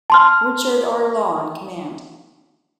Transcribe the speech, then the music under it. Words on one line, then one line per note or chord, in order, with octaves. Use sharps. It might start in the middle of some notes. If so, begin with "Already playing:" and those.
Richard R. Law in command.
A5 C6 F6